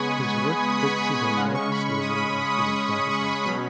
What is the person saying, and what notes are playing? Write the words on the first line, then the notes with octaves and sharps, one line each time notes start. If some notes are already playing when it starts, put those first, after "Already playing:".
His work focuses on modern slavery and human trafficking.
Already playing: C#3 G#3 B3 G#5 B5 C#6 D#6
C#6
D#6
B5
C#6
G#5
C#3 G#3 C#4 F#5
C#6
B5
C#6
D#6
B5
B5
D#6
C#6
C#6
D#6
C#6
B5
B2 F#3 C#4 B5